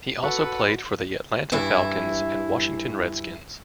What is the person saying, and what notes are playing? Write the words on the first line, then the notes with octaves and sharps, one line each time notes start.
He also played for the Atlanta Falcons and Washington Redskins.
F#4 A4 B4 F#5
G2 E3 E4